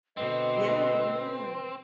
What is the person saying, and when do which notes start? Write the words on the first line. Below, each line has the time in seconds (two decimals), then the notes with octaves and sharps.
yeah. Yeah,
0.17 B2 D3 C4 B4 D#5